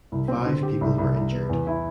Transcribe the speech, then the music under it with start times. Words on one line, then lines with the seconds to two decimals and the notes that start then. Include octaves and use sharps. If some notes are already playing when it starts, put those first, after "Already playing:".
Five people were injured.
0.12 C2
0.28 C4
0.46 D3
0.63 G4
0.81 C2
0.98 C2
1.15 C2
1.32 B3
1.49 E2
1.67 E4